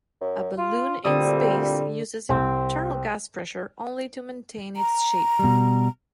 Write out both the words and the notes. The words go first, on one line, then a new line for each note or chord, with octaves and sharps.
A balloon in space uses internal gas pressure only to maintain its shape.
F#2
F4
D2 A#2 D3 G3 C4 D#6
C2 C4
A#5
B2 G3